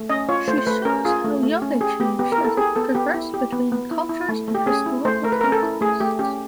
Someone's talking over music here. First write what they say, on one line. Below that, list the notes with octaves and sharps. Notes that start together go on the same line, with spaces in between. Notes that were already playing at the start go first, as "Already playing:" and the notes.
She shows how yoga changed as it traversed between cultures and historical contexts.
Already playing: A3
C#4 D#5
F4 C#5
A3 C5
C5
A3 B4
C#4 A#4
F4 G#4
A3
A3
C#4
G4 G#4
B3 G4
B3 G4
A#4
E4
A4
G4 G#4
B3 A4
B3 G4
E4
G4
B3
B3
E4
E4
A3
A3
G4
C#4 G#4
E4
A3 C5
A3 A#4
B4
A#4
C#4
A4
E4
A3 G#4
A3 G4
C#4 G4